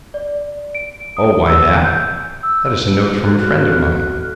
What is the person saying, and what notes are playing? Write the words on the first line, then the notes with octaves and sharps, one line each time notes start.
"Oh, why that--that is a note from a friend of mine."
D5
D7
D#6
E6
G6
E6
F#4 A4 F6 F#6